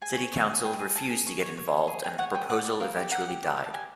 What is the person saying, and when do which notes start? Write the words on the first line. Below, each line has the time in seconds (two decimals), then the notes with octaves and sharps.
City council refused to get involved and the proposal eventually died.
0.01 G#4 G#5
0.17 C#5
0.33 C#5
0.49 G#4
0.64 G#4 G5
0.79 G#4
0.95 G#4 A5
1.10 G#4
1.27 C#5
1.41 C#5
1.57 C#5
1.72 C#5
1.87 G#4
2.04 G#4 G5
2.18 C#5 F#5
2.34 G#4 G5
2.50 D5 F#5
2.65 D5
2.80 A#4 F5
2.96 G4
3.11 A#4 F#5
3.28 G4
3.43 G4
3.58 G4
3.64 A5
3.73 G4 G#5